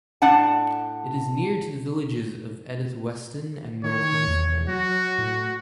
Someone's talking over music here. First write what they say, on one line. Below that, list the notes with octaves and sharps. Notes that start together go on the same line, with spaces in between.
It is near to the villages of Edith Weston and North Luffenham.
A2 D4 F#5 A5
D#3 C#5
E2
F#3 F#4
A2